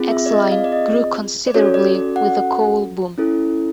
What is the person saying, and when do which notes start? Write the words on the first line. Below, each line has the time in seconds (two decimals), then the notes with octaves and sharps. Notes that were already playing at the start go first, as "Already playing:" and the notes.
Exline grew considerably with the coal boom.
Already playing: C4 F4 G#4
0.11 E5
0.26 D5
0.32 D#5
0.52 F5
0.64 D5
0.72 D#5
1.47 D5
1.54 C#4 F#4 A4 C#5
1.74 D5
1.95 D5
2.16 F#5
3.18 C#4 E4 A4